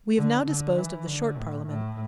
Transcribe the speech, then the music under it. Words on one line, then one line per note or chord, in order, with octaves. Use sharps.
We have now disposed of the Short Parliament.
D3
D3
E3
D3
A2
A2